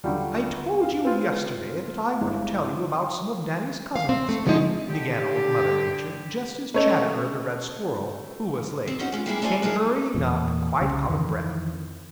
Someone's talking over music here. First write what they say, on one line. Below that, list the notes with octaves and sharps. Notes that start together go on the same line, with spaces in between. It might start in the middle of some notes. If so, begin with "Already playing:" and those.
"I told you yesterday that I would tell you about some of Danny's cousins," began Old Mother Nature just as Chatterer the Red Squirrel, who was late, came hurrying up quite out of breath.
D#2 D3 F#3 G3 F4 G5
F5
C4 F4 B4
G1 G#3 E4
F5
C4
A3
A2 D3 F3 G#3 A3 D#4
D3 G4
A3 C#4 C#5 D#5 F7
C4
C#4 D#4 F#4
G#3 C#4 F4
G3 A#3 D4 E4 G4 G#4
A3 F4 C5 D5 D#5 G#5
D4 D#4 G#4 A#4
E2 A#2
C2 C#3
F2 D#3 E3